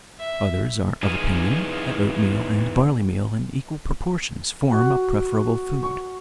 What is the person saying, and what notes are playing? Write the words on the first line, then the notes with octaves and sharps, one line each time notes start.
Others are of opinion that oatmeal and barleymeal in equal proportions form a preferable food.
E5
E2 E3 D#4 F4 G#4 G#5
F#4
C#6